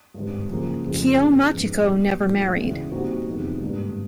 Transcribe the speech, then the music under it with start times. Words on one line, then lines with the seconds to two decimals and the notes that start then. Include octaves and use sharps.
Kyo Machiko never married.
0.14 G#1 G2 D3
0.49 F#2 C#3 F3 A#3
0.84 F1 F2 C#3 F3 G#3
1.18 F#1 E2 C#3
1.53 A#1 G#2 F3 G#3 B3
1.88 A#2 G3 B3
2.22 A#1 G#2 F3 A3
2.57 E1 D2 C#3 E3
2.91 A#2 G3 C4 D#4 F#4
3.26 F1 E2 C3 D#3
3.61 G#1 G2 D3 G3 A#3